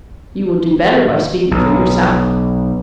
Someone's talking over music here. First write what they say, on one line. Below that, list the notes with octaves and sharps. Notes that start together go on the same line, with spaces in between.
"You will do better by speaking for yourself."
B1